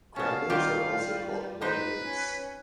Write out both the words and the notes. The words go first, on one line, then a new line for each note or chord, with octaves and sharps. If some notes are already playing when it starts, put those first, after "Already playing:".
Ground oats are also called "white oats".
B3 C#4 F5 A5
D#3 G3 D4 F4 G4
G3
D#4 B4 C5
C#4